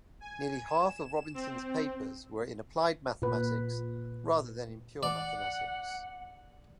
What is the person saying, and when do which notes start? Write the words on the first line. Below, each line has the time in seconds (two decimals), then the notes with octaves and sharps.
Nearly half of Robinson's papers were in applied mathematics rather than in pure mathematics.
0.21 G#5
0.68 E7
1.34 C4
3.22 A#2 B4
5.03 D5 F#5